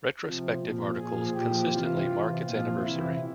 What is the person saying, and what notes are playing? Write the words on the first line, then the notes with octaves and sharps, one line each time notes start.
Retrospective articles consistently mark its anniversary.
C3 F3
A#2 F3
A#2 F3 G#4
A#2 F3 G4
C3 E3 F4
C3 E3
A#2 F3 F4
C3 E3 E4